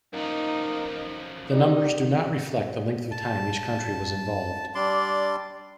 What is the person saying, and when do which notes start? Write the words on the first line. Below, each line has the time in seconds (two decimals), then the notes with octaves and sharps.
The numbers do not reflect the length of time each country was involved.
0.13 F#2 F3 A#3 D#4
1.51 G3 D#4
3.11 A5
4.75 G3 D4 D5 C6